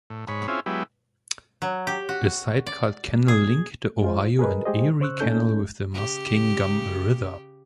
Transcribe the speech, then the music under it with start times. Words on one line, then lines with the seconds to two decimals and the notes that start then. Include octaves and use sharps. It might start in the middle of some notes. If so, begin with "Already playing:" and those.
A side cut canal linked the Ohio and Erie Canal with the Muskingum River.
0.10 A2
0.28 G#2 C#5 B5
0.48 C4 C#4 E4 F4 G#4
0.66 F#3 G#3 B3 E4 G4
1.62 F#3
1.87 G4
2.09 F#4
2.66 D5
3.28 G#4
4.02 G#3 F4 C5
4.39 G#4 A#4 B4 D#5
4.65 G#3 G4 G#4 C5 D#5
5.00 C#3 C5 C#6 E6 F#6
5.20 A2 A3 C#4 D#4 A4 G6
5.92 C#3 G4